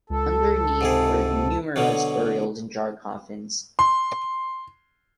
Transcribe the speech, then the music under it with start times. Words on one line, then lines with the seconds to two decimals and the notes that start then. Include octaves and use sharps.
Underneath were numerous burials in jar coffins.
0.10 C#2 A4
0.81 G#2 C3 G#4
1.76 B2 D3 F#3
3.79 C6